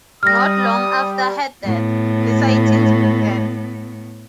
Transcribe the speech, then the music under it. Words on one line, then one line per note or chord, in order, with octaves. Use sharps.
Not long after her death, the sightings began.
G3 D#6 F6 A#6
A2 B3